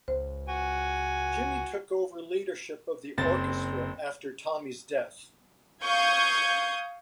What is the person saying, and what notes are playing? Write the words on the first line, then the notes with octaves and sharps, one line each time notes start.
Jimmy took over leadership of the orchestra after Tommy's death.
C#2 C5
F#4 G#5
F#1 C4 A6
F5 C#6 D#6 G6 G#6